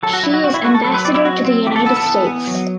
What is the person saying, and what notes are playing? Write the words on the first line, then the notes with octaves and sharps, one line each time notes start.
She is ambassador to the United States.
F#3 A4
F#4
F#3 E4
F#4
C4 F#4
E4
A3 F#4
A4
F#3 A4
B4
C4 D5
E4
F#3 F#4
C4
E3 G4
A4
B3 A4
A4
E3
B3
F#3